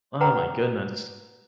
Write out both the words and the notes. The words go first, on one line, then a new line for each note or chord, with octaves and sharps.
Oh my goodness.
B4 F#5 G5 A#5